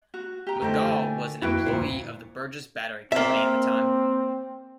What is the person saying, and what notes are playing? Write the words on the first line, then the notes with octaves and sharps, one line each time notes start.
McGall was an employee of the Burgess Battery Company at the time.
F#4
G4 A#5
D3 A3 E4 G4 C5 D#5
G#5
F2 A#3 E4 F#4 B4 G5
D2 A#2 C5
A#3 C4 E5